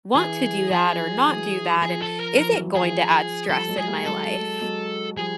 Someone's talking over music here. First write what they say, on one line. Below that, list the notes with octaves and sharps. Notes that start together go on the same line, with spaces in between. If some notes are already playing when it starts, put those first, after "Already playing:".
want to do that or not do that? And is it going to add stress in my life?"
E3 G#4
F3 G#4
E3 F#3
F3 G#4
A4
A#4
F3 A#4
E3 F#3
F3
G#4
E3
F3
F3 G3 A4
F#3 G#3
G#4
G3 A3
F#3 G#3 A4
F#3 G#3
F3 G3 G#4